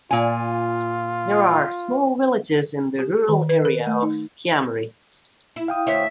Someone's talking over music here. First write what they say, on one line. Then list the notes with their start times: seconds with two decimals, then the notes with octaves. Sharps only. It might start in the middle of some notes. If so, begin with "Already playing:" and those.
There are small villages in the rural area of Kiamari.
0.11 A#2 F4 G#5
2.99 G4
3.29 D#3
3.49 B4
3.65 A#4
3.87 A3
4.02 D#4
5.56 E4
5.68 F5 G5 D#6
5.87 D2 C5 C#5 E5